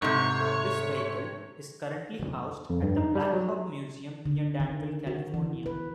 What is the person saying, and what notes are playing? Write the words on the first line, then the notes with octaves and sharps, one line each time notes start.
This vehicle is currently housed at the Blackhawk Museum near Danville, California.
G#2 C3 A3 C#5
A3
F2
G2
D#4
G3
F#3
D3
D#3
F#4
E3
B4